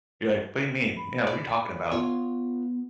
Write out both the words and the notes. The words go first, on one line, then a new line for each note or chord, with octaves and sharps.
You're like, "What do you mean? Yeah, what are you talking about?"
B5
D5
B3 F4 C#5